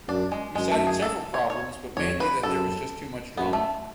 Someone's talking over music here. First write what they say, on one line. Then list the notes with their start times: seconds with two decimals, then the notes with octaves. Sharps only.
He cited several problems but mainly that there was just too much drama.
0.08 F#2 D4
0.32 G#3
0.55 F#2 G#3
0.71 A3
0.87 G#4
1.02 A4
1.34 C#5
1.50 C#5
1.97 F2 C#5
2.20 B4
2.43 F#2 A4
3.37 F#2 B3
3.53 A3